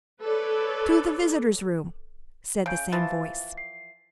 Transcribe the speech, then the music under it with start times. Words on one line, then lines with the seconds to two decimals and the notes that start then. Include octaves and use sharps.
"To the visitors' room!" said the same voice.
0.22 A4 B4 C#5 D5
2.66 C#3 A5 G6 D7
2.92 E3 F3 A6
3.58 C7